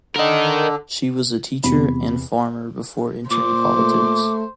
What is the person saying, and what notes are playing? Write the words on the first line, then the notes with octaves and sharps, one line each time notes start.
She was a teacher and farmer before entering politics.
D3 A#4 D#5
E2 C3 B5
A#2 C5 D6
A3